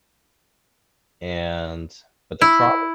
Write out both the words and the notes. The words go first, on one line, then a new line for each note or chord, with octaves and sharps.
And but the problem
E4